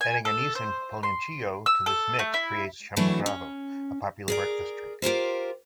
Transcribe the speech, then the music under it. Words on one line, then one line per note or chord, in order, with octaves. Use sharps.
Adding anise and "piloncillo" to this mix creates "champurrado", a popular breakfast drink.
G#5
A4
C5
C6
E6
A4
A3
E4
E3 F#3 A3 D4 E4 F#4
C#4
G#4 A#4 D5
F4 G4 A#4 C5